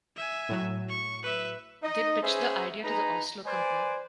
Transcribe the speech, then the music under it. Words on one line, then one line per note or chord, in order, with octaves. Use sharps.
They pitched the idea to the Oslo Company.
E5 G#5
A2 F#3
C#6
B4 E5
D#4 D#5
C#4 G#4 B4 C5 E5
D#4 G#4 B4 A#5
B4 C5 D5 G#5